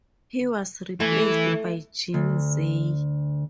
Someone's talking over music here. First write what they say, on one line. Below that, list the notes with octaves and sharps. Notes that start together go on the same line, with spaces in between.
He was replaced by Jean Zay.
E3 A3
D2